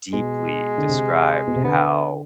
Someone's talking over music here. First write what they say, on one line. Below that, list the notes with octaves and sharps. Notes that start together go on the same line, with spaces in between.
deeply described how,
B2 G#3
D3
C3
B2
C3
D3 B3
B3